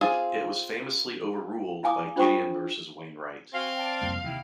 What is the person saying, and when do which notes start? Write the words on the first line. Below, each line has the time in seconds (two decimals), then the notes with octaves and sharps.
It was famously overruled by "Gideon versus Wainwright".
0.01 C4 F4 G#4 F5 G#5
1.83 E4 F5 G#5 D6 D#6
2.16 D4 F4 C5 G5 C#6 D#6
3.53 C4 F#4 F5 G#5
3.76 D5 G5 A5
4.02 C2 F2 A#3
4.23 D#2 C3 E4 G5